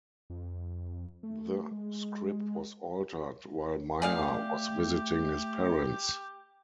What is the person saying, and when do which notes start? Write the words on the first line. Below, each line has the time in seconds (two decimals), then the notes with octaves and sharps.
The script was altered while Meyer was visiting his parents.
0.30 F2
1.23 A3
1.71 G#3
4.02 A3 G4 G#4 D5 F5